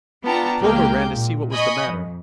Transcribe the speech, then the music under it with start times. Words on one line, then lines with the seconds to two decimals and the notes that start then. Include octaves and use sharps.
Clover ran to see what was the matter.
0.25 B3 D4 F4 G5 A5 A#5
0.61 C#2 G#3 A#3 G4 G5
1.12 A#2
1.52 D#5 G#5 B5 C#6 D#6
1.85 F2